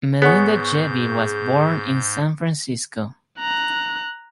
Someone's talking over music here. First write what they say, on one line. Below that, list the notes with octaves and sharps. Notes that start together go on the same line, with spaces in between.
Melinda Gebbie was born in San Francisco.
G#2 B3 G#4 C#5 F#5 G#5 C#6 G6
A#5 F#6